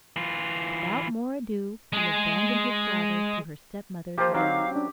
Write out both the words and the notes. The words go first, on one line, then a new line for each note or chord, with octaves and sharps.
Without more ado, he abandoned his daughter to her stepmother's will.
E3 F4
G#3 G#4
F3 A#3 F4 G4 C5
F#3 C4 D#4 F5 A#5 F6
C#4 D4